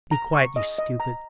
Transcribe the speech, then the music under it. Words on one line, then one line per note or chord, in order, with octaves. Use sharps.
Be quiet, you stupid!
A#5
C#6
D#5
D#5
A#5